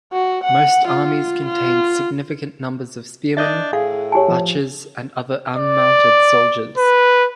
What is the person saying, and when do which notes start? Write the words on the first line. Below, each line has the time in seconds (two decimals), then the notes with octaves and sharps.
Most armies contained significant numbers of spearmen, archers and other unmounted soldiers.
0.13 F#4
0.44 F#5
0.88 F4
1.45 F4
3.37 D4 D#5 E5 G6 A6
3.73 A2 G#4 F5
4.12 G4 C#5 G#5 A5
4.28 F3
5.56 D5
6.77 B4